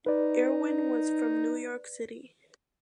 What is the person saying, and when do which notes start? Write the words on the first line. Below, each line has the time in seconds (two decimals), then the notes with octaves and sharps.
Irwin was from New York City.
0.06 D#4 B4 D5